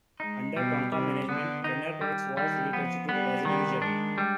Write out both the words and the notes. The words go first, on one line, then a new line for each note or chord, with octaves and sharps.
Under Tonka management, Kenner Products was reconstituted as a division.
G#3 D#4
B2 G3
C3 G3
D3 B3
D#3 D#4
G3
D#3 G3
F3 B3
G3 B3
D#3 G3
G#3 D4
G3